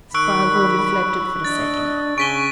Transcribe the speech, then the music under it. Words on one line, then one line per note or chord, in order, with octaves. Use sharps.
Spargo reflected for a second.
D#3 B5 C#6 E6 F#6 D7
D4 D#5 A6
C#3 G#5 C#6 B6 D7 D#7 G7